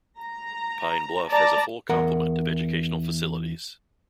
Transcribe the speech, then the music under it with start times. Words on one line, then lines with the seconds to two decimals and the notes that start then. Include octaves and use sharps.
Pine Bluff has a full complement of educational facilities.
0.21 A#5
1.30 D5 A5 A#5
1.89 E2 A#4 F#5